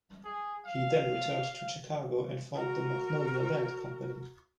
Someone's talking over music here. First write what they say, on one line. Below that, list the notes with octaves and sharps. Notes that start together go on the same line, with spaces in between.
He then returned to Chicago and formed the Magnolia Land Company.
G#4
F5
F#4 A#4